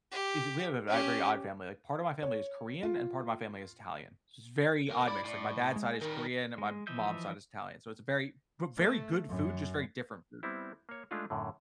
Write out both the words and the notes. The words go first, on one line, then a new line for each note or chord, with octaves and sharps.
is we have, uh, a very odd family, like, part of my family is Korean, and part of my family is Italian, it's a very odd mix. Like, my dad's side is Korean, and my mom's side is Italian, so it's a very v very good food, just very different food,
G4
C#4 G4
C#5
F4
D2 A#4
E4 D5 B5
A2
G#3
D#3 G3 A#4
G#3
E3 F3 D#5 E5 G6
A3
F#2
G3 B3 C4 E4
A#3 C#5
G#3 A3 D4 D#4 F4 G#4
F#2 A2 D3